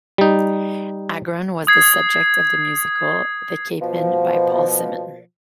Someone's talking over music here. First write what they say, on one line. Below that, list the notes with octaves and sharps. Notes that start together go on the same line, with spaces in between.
Agron was the subject of the musical "The Capeman" by Paul Simon.
G3 D#4
D#6 G#6 C7
B2 F3